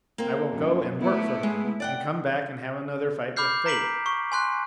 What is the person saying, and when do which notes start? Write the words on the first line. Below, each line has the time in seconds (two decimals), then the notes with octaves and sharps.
I will go and work for money, and come back and have another fight with fate.
0.18 A#3 C4
0.51 F#2
1.01 A3 B3 E4
1.43 G#3
1.80 D5 F#5 G5
3.37 B5 D6 F6 G6 C7
3.66 A#5 B6 D7 F#7
4.06 C#6
4.32 G#5 C6 F#6